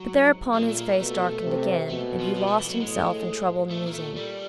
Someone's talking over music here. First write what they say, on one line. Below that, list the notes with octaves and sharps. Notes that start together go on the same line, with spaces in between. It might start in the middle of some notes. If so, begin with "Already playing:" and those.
But thereupon his face darkened again, and he lost himself in troubled musing.
Already playing: F#3
G#2
A#2 G#3
A3
A#3
B2 A3
C3
B2 A3
F3
F3
A3
E3
F#3
A2 G#3
A#2 A3
A#3
A3
G3